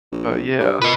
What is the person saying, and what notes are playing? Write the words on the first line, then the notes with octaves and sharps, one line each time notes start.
But, yeah.
A#1
G2
A#2 B4 D#5